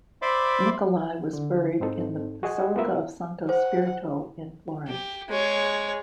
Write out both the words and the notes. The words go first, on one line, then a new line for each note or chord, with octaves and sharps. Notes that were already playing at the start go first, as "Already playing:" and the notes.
Niccoli was buried in the Basilica of Santo Spirito in Florence.
C5 D5 E5 B5 C6 D6
D3
G#2 C4 D#4 A4
F#4 G#4 D#5 F#5 G#5
A3 B3 F4 A#4 E5
C5 F#5
G4
G#3 C#5